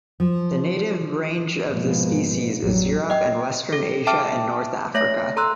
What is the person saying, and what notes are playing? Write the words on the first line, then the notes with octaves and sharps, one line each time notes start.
The native range of the species is Europe and Western Asia and North Africa.
F3
G#2 B2 F3 G#3 A#3 B3
A1 F2 F#3 G3
D#5 G5
A4
E5 G5 A5 D6 F6
A3 C#5 E5 A#6
A4 A#5 C6 E6 F#6